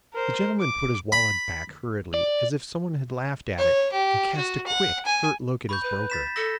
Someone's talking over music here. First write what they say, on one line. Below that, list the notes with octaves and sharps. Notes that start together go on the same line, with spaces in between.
The gentleman put his wallet back hurriedly as if some one had laughed at it, and cast a quick, hurt look at his broker.
A#4 C5
D6
B5
D5
C#5
G4
F#4
F#5
G#5
B5 C#6 G6
B4
A6 B6 E7
A4 A#6